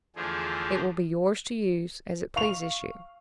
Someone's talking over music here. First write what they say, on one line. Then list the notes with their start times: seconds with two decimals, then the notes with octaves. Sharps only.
It will be yours to use as it pleases you.
0.16 E2 D3 F3 A3 G#4
2.36 F5 C#6 F7